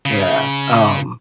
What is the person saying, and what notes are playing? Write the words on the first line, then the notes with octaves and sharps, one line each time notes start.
Yeah, um,
C#3